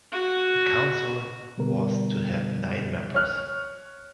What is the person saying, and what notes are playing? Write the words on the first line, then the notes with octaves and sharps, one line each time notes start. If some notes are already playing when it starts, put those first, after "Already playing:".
The Council was to have nine members.
F#4
B2 D3 G3 B3 A#4
C#5 F6 F#6